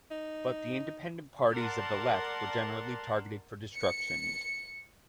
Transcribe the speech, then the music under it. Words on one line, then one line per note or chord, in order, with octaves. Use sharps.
But the independent parties of the left were generally targeted for destruction.
D#4
A#4 D5 F#5 A5 C6
C#7